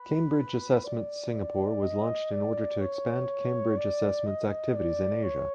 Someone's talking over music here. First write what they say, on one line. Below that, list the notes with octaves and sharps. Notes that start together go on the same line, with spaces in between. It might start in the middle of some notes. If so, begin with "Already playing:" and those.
Cambridge Assessment Singapore was launched in order to expand Cambridge Assessment's activities in Asia.
Already playing: B4
D5
D#5
D5
C#5
D5
D#5
D5
C#5